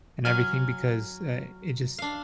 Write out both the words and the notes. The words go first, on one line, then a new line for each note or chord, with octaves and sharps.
and everything because, uh, it just
F#3 G#5 F6
D4 F5